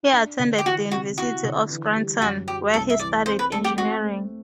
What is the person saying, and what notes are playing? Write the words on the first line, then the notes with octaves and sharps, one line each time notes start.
He attended the University of Scranton, where he studied engineering.
D4
D3
G4
E3 F#4
C3 F#4
E4 F#4
D3
E3
G3
F#2 F#4
F#3 G4
C2 A4
E5
E3 D5
C4 C5
B4
A3 A4
G4
C4 F#4
C4